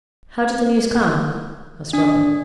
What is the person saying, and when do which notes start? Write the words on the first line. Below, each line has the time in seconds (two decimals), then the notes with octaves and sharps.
"How did the news come?" asked Robin.
1.93 D4